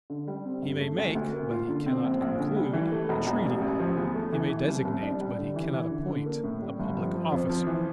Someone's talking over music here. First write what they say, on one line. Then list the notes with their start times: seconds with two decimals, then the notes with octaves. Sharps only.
He may make, but he cannot conclude, a treaty; he may designate, but he cannot appoint, a public officer.
0.10 D3
0.28 G3
0.45 C4
0.62 G2
0.80 A3
0.98 D2
1.15 D2
1.33 A#3
1.51 F4
1.68 D3
1.86 C4
2.04 A#1
2.21 A#1
2.38 D3
2.56 G3
2.73 E3
2.92 A3
3.09 E1
3.27 E1
3.45 A1
3.62 A1
3.80 F3
3.97 E2
4.15 A3
4.33 E3
4.49 E3
4.67 C2
4.85 C2
5.03 D4
5.20 G3
5.38 D3
5.56 E3
5.73 E3
5.91 D3
6.08 D3
6.26 A#3
6.43 A2
6.62 G3
6.79 G1
6.97 F3
7.14 F3
7.32 F2
7.49 F3
7.67 E3